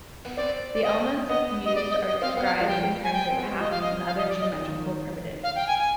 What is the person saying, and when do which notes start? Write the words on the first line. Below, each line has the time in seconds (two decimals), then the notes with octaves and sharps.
The elements used are described in terms of paths and other geometrical primitives.
0.25 B3
0.37 C4 D5
0.74 D5
0.83 D#5
1.29 B3 D#5
1.65 D#5
1.75 D5
1.91 D#5
2.07 D#5
2.22 C4 F5
2.37 B3
2.44 F5
2.61 F3
2.67 G3 G5
3.04 G#5
3.13 G5
3.30 C4
3.37 B3
3.45 G#3
3.53 G3
3.60 F3 D#5
3.71 F5
3.81 D#5
4.06 F5
4.17 D#5
4.29 D5
4.40 D#5
4.52 D#3
4.60 F3
4.68 D#3
5.43 F5
5.56 G5
5.67 G#5
5.79 G#5